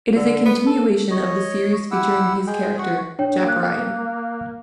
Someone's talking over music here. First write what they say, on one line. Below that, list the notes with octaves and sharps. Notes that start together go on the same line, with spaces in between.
It is a continuation of the series featuring his character Jack Ryan.
D3
B3
A4
C#5 D#5
E4 G4 F#5 E6
G#3 G#4 G5
F#4 F#5
D4 C#5 G5
A#3
F#6